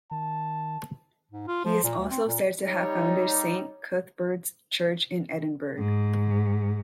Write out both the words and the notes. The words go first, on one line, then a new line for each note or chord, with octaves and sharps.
He is also said to have founded Saint Cuthbert's Church in Edinburgh.
D#3 A5
G#2
F4
F3
A#2
D2
C4
A#2
G3 D#4 C#5
G#2